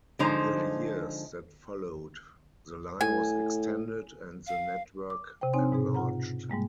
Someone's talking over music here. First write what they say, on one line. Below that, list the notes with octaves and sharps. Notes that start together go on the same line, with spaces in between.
In the years that followed, the line was extended and the network enlarged.
D3 F3 G#3 D#4 C5 A#5
A2 G#5
F5
D6
C3 C5 G5
C4 D4 D#4 C#5 G#5 C6
G#2 B2 G#4
F4 F#5 A#5
G#2 G3 G#3 A#3